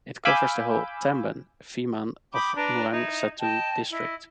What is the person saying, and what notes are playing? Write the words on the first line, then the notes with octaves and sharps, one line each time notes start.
It covers the whole "tambon" Phiman of Mueang Satun district.
F5 G#5 B5 D6 E6 G6
G5 B5 D6 D#6
D4 B4 A#5
D#4 E4
D#5 G5 A5
E4 D#5